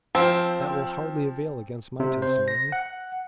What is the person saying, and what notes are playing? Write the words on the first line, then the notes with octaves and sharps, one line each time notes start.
"That will hardly avail against my testimony."
F3 C4
C3
C5
A#6
F#5